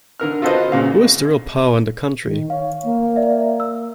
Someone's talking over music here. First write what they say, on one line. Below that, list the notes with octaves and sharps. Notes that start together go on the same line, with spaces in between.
Who is the real power in the country?
D3 A#4 F6
F4 F#4 A4 B4 C5 D#5
A#2 C#3 F5
D#3
C#5 F5
A#3
D5 E5
E6